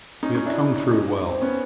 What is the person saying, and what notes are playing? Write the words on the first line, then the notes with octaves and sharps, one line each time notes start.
We have come through well.
C#4 D#4
C#4 D#4
D4 E4
C#4 D#4
C4
B3 C#4